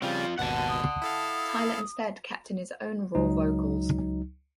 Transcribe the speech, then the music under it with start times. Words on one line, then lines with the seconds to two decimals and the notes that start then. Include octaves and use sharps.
Tyler instead kept in his own raw vocals.
0.02 C#3 G3 C4 F4
0.39 G#1 D#2 B2 F#5 A5
0.69 D#6
1.02 E4 A4 F5
3.15 C#2 F#3 D#4